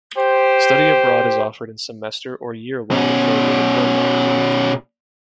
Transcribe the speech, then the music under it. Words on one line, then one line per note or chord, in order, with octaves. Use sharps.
Study abroad is offered in semester- or year-long affiliated programs.
G4 C5
B2 C#4